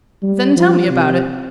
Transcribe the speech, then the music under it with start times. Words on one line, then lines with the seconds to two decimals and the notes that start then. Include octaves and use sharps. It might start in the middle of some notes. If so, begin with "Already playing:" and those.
"Then tell me about it."
0.22 G3
0.57 F3
0.91 C3